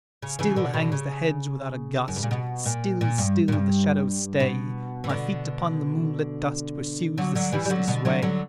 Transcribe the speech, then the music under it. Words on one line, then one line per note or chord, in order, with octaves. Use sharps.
Still hangs the hedge without a gust, Still, still the shadows stay: My feet upon the moonlit dust Pursue the ceaseless way.
C#3
C#3 E3
B2 D3
B2 D3
C#3
F#2
G2
A#2
B2
A#2
A#2
G2
A#2
G2
B2
E3
B2 D3
D3 F#3
D3 F#3
E3 G3
G3
D3 F#3
B2 D3
D3 F#3
D3 F#3